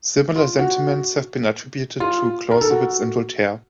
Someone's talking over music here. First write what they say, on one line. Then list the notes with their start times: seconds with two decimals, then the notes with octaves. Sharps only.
Similar sentiments have been attributed to Clausewitz and Voltaire.
0.36 F4
0.59 F#4
2.00 F4
2.51 A#4
2.61 A4
2.70 F#4